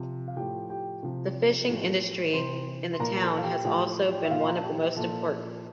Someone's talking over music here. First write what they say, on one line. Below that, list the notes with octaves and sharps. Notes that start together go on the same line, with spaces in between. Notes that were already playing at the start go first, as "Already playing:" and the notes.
The fishing industry in the town has also been one of the most important.
Already playing: C3 F3
F5
A2 F3 G4 G5
G4 G5
C3 F3
A2 F3
C3 E3 C5 C6
C6
A#2 F3 A#4 A#5
A#5
A4 A5
F5
G4 G5
A2 F3 G4 G5
G4 G5
E5
A#2 F3 F4 F5
C6
A#5
A5
G4 G5
A#2 F3 A4 A5